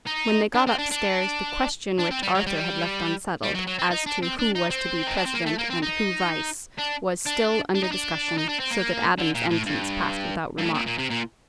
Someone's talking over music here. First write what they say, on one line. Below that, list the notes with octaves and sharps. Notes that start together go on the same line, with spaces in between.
When they got upstairs, the question which Arthur had left unsettled, as to who was to be president, and who vice, was still under discussion, so that Adam's entrance passed without remark.
D#4
D4
C4
D4
D4
D4
C4
G3
F#3
G3
G3
F#3
F#3
C4
D#4
D4
C4
D4
D#4
C4
D#4
D4
C4
A#3
A3
A#3
C4
D#4
D4
D4
D4
D#4
D4
D#4
D4
C4
A#3
D3
A#2
A2
G2
G2
A2
A#2
A#2
C3
A#2